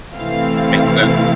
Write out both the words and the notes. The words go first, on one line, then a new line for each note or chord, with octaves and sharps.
Makes sense.
C3 E3 A3 C4 E4 F5